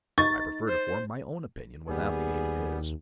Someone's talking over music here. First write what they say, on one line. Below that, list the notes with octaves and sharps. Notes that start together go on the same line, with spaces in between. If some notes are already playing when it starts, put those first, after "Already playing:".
"I prefer to form my own opinion, without the aid of his."
D#4 C#6 A6
C5
D#2 G3 B3 G#4